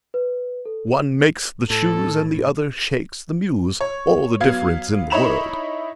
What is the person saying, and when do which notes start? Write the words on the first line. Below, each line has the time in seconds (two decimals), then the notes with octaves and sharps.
One makes the shoes and the other shakes the muse--all the difference in the world.
0.14 B4
0.66 A4
1.70 A2 A4
3.81 C#5
4.40 F#3 B3 F5 G#6
5.10 D#4 E4 C#5 B5 E7 F7